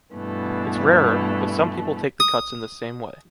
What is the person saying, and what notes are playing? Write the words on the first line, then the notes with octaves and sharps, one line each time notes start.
It’s rarer, but some people take the cuts in this same way.
G2 B2 E3 A3
D#6